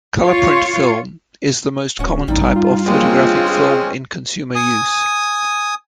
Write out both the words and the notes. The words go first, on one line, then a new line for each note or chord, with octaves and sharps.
Color print film is the most common type of photographic film in consumer use.
F4 C#5
D1 C#4 F#4
A1 G2 G3 D#4
F4
G#3 A#3 C4 C#4
G#4
G#5 D#6